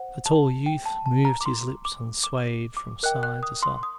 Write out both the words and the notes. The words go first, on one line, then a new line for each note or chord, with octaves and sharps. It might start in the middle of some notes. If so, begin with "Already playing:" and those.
The tall youth moved his lips and swayed from side to side.
Already playing: C5 F#5
A5
G5
A5
A5
A#5
D6
C6
D6
D6
D6
A#4 D#5 G5 F#6
F#6
D#6
C6
D#6